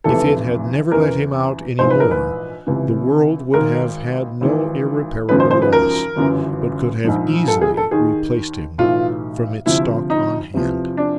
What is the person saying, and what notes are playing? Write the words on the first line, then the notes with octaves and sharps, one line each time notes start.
If it had never let him out any more, the world would have had no irreparable loss, but could have easily replaced him from its stock on hand.
F1 E2 C3 E3 A4
E2 C#3 E3 A#4
A#1 G#2 E3 C5
B4
A#4
B4
C#2 C3 E3
G#1 G#2 D#3 A#4
G#1 G#2 E3
G#1 F#2 C#3 F3 B4
C5
C5
B4
A#4
G1 F#2 C#3 E3
A#1 G#2 F3
A4
G#4
A4
D#2 D#3 G#4
B1 A2 E3 F4
D2 C3 F3 E4
D#4
E2 C3 F3
D4